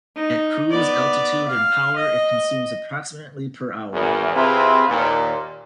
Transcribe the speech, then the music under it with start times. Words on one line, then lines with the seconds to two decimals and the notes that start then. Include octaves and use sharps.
At cruise altitude and power, it consumes approximately per hour.
0.16 D#4
0.70 B3 D5
1.49 F5
1.96 D#5
3.92 G#1 E2
4.35 C3 C4 E4 F4 G#4 B4
4.89 D#2 A#2